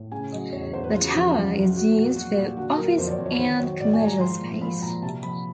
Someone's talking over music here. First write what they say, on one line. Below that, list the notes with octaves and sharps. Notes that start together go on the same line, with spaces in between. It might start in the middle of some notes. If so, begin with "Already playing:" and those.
The tower is used for office and commercial space.
Already playing: A2
C#3 G#5
F#3 D#5
E2 C#5
C#5
E2 C5
B4
C#3 F4
F#4
F3 G4
F4
F#2
F#2
F#3 F#4
A#2 F#4
F#3 F#4
A#2 G4
D3 F#4
F#3 A#4
F2 C5
D5
C#5
F2
C#5
D#3 C5
F#3 C#5
G#2 D5
G#5
G#2
A#5
F3 C6
A#2
F3 B5
A#2 A#5
C3 A5
F3 B5